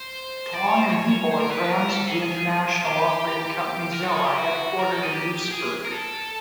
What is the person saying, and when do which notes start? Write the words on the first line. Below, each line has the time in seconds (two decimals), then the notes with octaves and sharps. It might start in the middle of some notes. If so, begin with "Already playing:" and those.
Ytong and Hebel are brands of the international operating company Xella headquartered in Duisburg.
Already playing: C5
0.54 D5
0.67 C#5
0.78 C5
0.91 C#5
1.31 C5
1.40 A#4
1.50 B4
1.69 A#4
1.89 A4
2.08 G#4
2.85 G4
3.92 A#4
4.03 A4
4.15 G#4
4.26 G4
4.37 F#4
4.79 A#4
4.91 A4
5.03 G#4
5.14 G4
5.34 G4
5.48 G4
5.52 G#4
5.85 A#4
5.91 A4